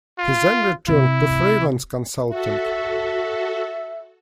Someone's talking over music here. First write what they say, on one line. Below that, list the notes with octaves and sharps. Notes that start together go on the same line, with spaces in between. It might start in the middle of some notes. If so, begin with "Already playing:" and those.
He then returned to freelance consulting.
F4
C3 E4
F#4 A4 E5